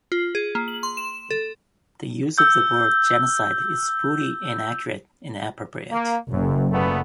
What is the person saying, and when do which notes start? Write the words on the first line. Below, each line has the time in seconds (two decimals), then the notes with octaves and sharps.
The use of the word genocide is wholly inaccurate and inappropriate.
0.12 F4
0.35 G#4
0.55 A#3
0.68 F#7
0.83 C6
0.97 E7
1.31 A4
2.38 E6 G6
5.91 A#3
6.31 F#1 F#2
6.71 A#2 A3 B3